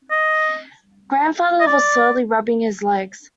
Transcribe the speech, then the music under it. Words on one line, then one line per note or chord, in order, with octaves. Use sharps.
Grandfather was slowly rubbing his legs.
D#5
D#5
D5